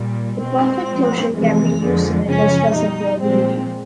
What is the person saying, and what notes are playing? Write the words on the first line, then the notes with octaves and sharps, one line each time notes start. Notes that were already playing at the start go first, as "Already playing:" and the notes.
The perfect closure can be used in a test for separability.
Already playing: A#2 G3
B2 G#3 C4
A#2 F3 G#3
F2 C3 E3 G#3
F2 D3 F3 G#3
F#2 C#3 F3 G#3 C#4
B2 G3 D#4
A#2 F3 G#3 C4